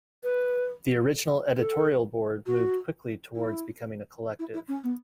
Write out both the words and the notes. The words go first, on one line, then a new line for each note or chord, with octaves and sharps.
The original 'editorial board' moved quickly towards becoming a collective.
B4
A4
F#4
E4
E4
E4
C#4
B3